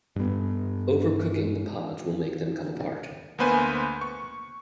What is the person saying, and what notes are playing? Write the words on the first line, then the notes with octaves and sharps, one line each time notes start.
Over-cooking the pods will make them come apart.
G2 B3
D2 A#3 B3 B4 C5 G#5
C#6